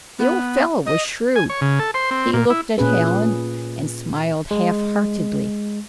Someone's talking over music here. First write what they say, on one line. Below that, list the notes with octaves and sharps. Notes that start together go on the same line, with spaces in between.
The old fellow was shrewd--he looked at Hallen and smiled half-heartedly.
B3
D#5
G#5
C#5
C#3
A4
C5
C4
A#2
E4
A#2 C#4 G#4 B4
G#3